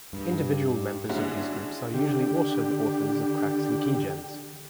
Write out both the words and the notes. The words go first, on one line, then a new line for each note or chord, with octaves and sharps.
Individual members of these groups are usually also the authors of cracks and keygens.
G2
D3 G#3 C#4 E4 F#4
D3 G4